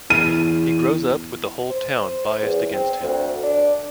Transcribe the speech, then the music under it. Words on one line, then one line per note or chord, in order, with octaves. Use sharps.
He grows up with the whole town biased against him.
E2 D#7
C5
E2
C4
D2
D4